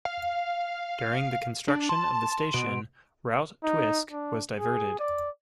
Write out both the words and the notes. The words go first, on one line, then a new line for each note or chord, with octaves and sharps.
During the construction of the station, Route Twisk was diverted.
F5
D4
A5 C6
B2 D7
D#4
D4
G#4
D5